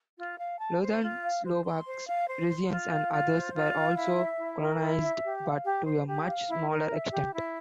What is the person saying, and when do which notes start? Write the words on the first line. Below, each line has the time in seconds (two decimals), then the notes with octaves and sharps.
Lutheran Slovaks, Rusyns, and others were also colonized but to a much smaller extent.
0.17 F4
0.38 F5
0.59 A5
0.81 C5
1.02 F4
1.22 F5
1.44 C5
1.65 C6
1.86 C5
2.07 F5
2.28 C5
2.49 C6
2.70 F4
2.90 F5
3.12 F4
3.33 C5
3.53 F4
3.75 F5
3.96 E4
4.16 E5
4.39 E4
4.59 A#4
4.79 E4
5.01 E5
5.23 G4
5.43 F5
5.64 G4
5.85 C5
6.07 G4
6.27 F5
6.49 E4
6.69 A#4
6.90 E5
7.12 G4
7.33 E4